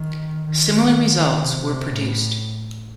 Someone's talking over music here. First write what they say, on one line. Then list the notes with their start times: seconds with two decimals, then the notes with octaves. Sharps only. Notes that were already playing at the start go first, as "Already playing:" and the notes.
Similar results were produced.
Already playing: D#3
0.46 D#3
1.43 C3
1.90 A2